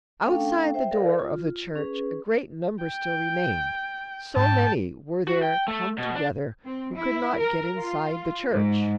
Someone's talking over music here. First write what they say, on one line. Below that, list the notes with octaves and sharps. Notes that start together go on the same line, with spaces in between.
Outside the door of the church a great number still remained, so many were there come together who could not get inside the church.
A3 C#4 D4 A4 F5 G5
C5 E5 G5
A4 A#4 C5 D5 F5
F4
C#4 G#4 B4
G5
G#2 G5 A5
F#4
G5
A3
B2
D4
C4
E4
A#4
F4
G#2